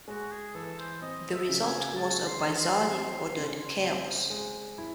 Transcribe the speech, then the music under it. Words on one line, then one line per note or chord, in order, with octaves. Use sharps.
The result was a bizarrely ordered chaos.
G#3 F#4
G#4
E3 A4
C5
C4 D#5
E5
C#3
G#5
G#3 A5
C6
E3
A5
C6
C4
C#3
C4
G#3
E4